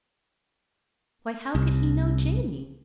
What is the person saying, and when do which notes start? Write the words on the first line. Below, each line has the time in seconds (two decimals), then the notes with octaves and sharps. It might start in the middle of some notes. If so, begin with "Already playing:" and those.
"Why, how could he know Jamie?"
1.55 C2